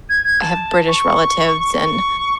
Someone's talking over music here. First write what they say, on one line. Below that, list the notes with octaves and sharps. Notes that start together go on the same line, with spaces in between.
I have British relatives, and
G#6
G#6
A5
C#6
C#6